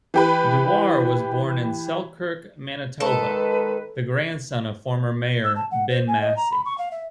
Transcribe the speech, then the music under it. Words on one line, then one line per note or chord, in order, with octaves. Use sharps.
Dewar was born in Selkirk, Manitoba, the grandson of former mayor Ben Massey.
E3 G4 B4
D#3 G#3 A4 B4
E6
A5
F#5
C5
G#5
D#5
A#5
B5
C#6
F5
E5